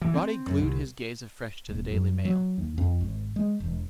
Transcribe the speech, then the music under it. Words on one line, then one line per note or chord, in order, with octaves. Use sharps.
Roddy glued his gaze afresh to the Daily Mail.
E3
C4
F#2
C2
D#1
F#2
F#3
D#2
F2
G#1
G#3
E1